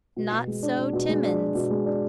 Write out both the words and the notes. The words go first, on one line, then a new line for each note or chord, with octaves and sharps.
Not so Timmans.
B2
B2
G#3
D4
B2
B2
G#3
D4
B2
B2
G#3
D4